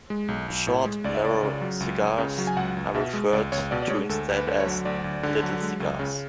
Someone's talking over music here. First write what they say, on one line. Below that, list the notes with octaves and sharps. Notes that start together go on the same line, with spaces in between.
Short, narrow cigars are referred to instead as "little cigars".
G#3
B1
B1
A2
G#3
C#2 D5
E5
C#2 D5
C#3
F#3
C#2
C#2
C#3
F#3
G#5
C#2 F#5
C#2
B2 E5
G#3
C#2 D5
C#2 C#5
B2 D5
D5
G#3 C#5
D2 A4
D2
B4
D3
C#5
F#3
D2 D5
D2
D3
F#3
G#3
C#2
C#3